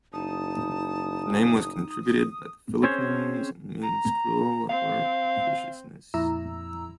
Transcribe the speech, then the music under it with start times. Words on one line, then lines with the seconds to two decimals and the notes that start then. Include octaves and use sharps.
The name was contributed by the Philippines and means cruel or viciousness.
0.13 F#1 D#4 A5 D#6
2.83 C4 C#4 G#4 C5 C#5
3.82 A#5
4.70 C4 F5
6.14 F2 A#2 E4 A#5 E6